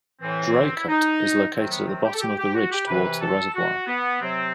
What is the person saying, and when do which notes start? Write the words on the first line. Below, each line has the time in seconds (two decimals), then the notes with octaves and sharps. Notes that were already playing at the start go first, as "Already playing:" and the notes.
Draycote is located at the bottom of the ridge towards the reservoir.
0.21 A2 E3 C4
0.76 E4
0.88 D#4
1.54 C3 D#3 F#3 C4
1.72 B3
1.88 C4
2.05 G4
2.13 A4
2.21 G4
2.38 G4
2.54 F#4
2.71 G4
2.87 C3 E3 B4
3.22 A4
3.54 F#4
3.87 B3
4.21 C3 F#3 C4